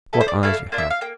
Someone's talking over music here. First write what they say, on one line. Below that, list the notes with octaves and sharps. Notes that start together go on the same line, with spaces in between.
What eyes you have!
A3 E4 A4
C5
D5
A3 E4 A4 F5
A#3 D4 F4
E5
F5
A#3 G5